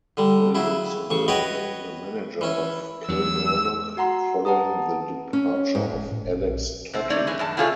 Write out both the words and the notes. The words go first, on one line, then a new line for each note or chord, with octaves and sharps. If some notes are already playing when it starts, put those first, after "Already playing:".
Williamson became the manager of Kilmarnock following the departure of Alex Totten.
D3 G3
C#3 F#3 E4
A1 C#3 C#6
F#4 B4 C#5 D#5 G5
E3 C#4
E2 F#3 E6
F#4 F#5 A#5 C6
B4 F#5 A5 A#5 D#6
C#4
G#2
E1
A2
F#1
A#1
C3 C4
A3 D#4 C#5 D5
E3 G#3
F#2 D#3 A5
A2 C3 A3 F4 G#4 C#5